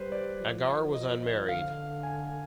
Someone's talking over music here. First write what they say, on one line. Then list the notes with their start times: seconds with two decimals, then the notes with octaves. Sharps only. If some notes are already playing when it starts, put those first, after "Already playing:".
Agar was unmarried.
Already playing: G3 B4 C5
0.12 D5
0.40 F3
0.95 D#5
1.49 D3 F5
2.03 G#5